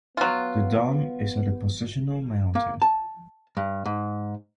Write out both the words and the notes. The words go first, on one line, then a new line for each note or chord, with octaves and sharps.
The Dom is a depositional mountain.
F#3 B3 F4
A#3
A5
G2
G#2